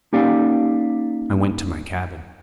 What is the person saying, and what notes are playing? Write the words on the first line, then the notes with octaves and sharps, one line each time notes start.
I went to my cabin.
A#3 C#4 D#4 G4 D5 F5